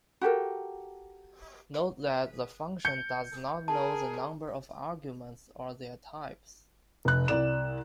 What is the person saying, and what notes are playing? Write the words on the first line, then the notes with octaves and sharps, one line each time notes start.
Note that the function does not know the number of arguments or their types.
F#4 G4 A4 A#4
G6 C#7
G#4 A#4 A5
F1 F#6
C2 D5 E7